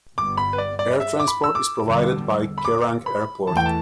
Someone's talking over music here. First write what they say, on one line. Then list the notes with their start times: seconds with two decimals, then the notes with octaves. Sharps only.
Air transport is provided by Kerang Airport.
0.17 G1 G2 G3 B3 D6
0.37 B5
0.53 B4
0.58 D5
0.79 D5
1.00 E5
1.20 D6
1.27 B5
1.44 E6
1.55 D6
1.82 E2 D3 G3
2.58 B5
2.65 D6
3.06 B5
3.47 E2 E3 A3 A5
3.57 G5
3.66 A5